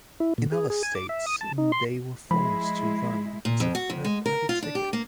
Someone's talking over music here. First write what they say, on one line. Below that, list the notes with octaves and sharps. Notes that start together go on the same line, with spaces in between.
In other states, they were forced to run as a third-party ticket.
E4
A#2
G#4
G#4
G#5
D6
E5
D#6
A5
D#4
C6
F3 G#3 E4 B5
A#2
F2
F#4
F2
G#3
A#4
F4
D4
G4
A#3